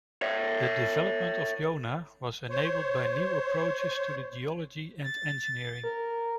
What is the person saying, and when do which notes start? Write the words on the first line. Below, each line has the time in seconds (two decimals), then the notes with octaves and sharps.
The development of Jonah was enabled by new approaches to the geology and engineering.
0.22 C#5 E5
2.50 C5 C#5
5.04 A6
5.84 A#4